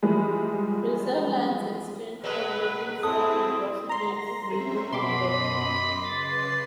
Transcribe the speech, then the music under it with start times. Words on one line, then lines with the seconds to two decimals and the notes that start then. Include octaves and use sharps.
Preserve lands extend for nearly from Rosendale to Millbrook Mountain.
0.03 E3 F3 G3 G#3
2.24 B2 F#3 G#3 B4
3.03 C4 E4 G#4 A4 D#6
3.89 A#5 C6 A#6
4.45 C4 C#4 E5
4.93 F#2 B2 D#5 B5 C6 D6
6.04 C#3 B4 A6 C7